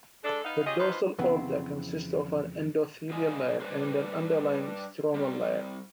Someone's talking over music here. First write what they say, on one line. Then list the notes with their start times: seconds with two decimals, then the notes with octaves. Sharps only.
The dorsal aorta consists of an endothelial layer and an underlying stromal layer.
0.24 G#3 D4 A4
0.44 B3 D#4 F5
0.66 C#4 F4 G4 G#4 D#5
0.79 G2 E3 D#4 F4 B4 C5
1.19 F2 C#3 E3 B3 C4
3.09 G2 C#3 D#5 G#5
3.60 G3 D4 B4 C5
5.14 G3 C4